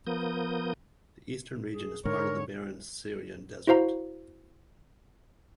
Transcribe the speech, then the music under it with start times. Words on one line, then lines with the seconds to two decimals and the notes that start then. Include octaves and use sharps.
The eastern region is part of the barren Syrian Desert.
0.07 F3 B3 A#4 D#6 G6
1.71 G#4
2.05 G#2 D3 A#4 C#5
3.67 E4 F#4 C5 F5 A#5